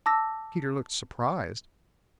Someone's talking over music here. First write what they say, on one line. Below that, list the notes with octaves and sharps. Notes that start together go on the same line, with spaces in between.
Peter looked surprised.
A5 D6 E6 A#6